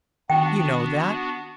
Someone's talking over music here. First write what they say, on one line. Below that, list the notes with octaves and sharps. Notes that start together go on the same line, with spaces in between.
You know that.
D#3 B3 D4 F#4 G5